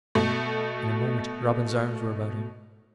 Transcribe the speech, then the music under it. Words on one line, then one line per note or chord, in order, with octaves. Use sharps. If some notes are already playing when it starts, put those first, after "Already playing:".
In a moment Robin's arms were about him.
B2 A3